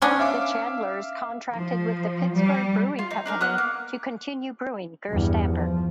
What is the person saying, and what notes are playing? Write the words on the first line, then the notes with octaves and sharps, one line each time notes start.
The Chandlers contracted with the Pittsburg Brewing Company to continue brewing Gerst Amber.
B3 C#4 D4
E5 F5 D6
F3
G3
F4
D#4
D4 D#4 A#4
B3 D#6 F6 F#6
A#3
E2 G2
F3